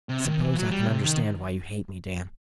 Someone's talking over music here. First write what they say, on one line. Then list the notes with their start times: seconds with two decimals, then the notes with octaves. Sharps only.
"I suppose I can understand why you hate me, Dan."
0.09 C3
0.25 D#3
0.40 E3
0.56 F#3
0.71 G3
0.87 C3
1.03 D#3